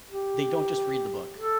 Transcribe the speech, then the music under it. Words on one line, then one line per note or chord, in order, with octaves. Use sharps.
they don't just read the book.
G4
A4